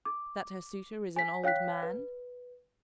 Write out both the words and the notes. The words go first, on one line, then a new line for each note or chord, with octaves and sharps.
That her suitor is an old man?
D6
G#5 B6
C#5 F5 G5 F#6 B6
B4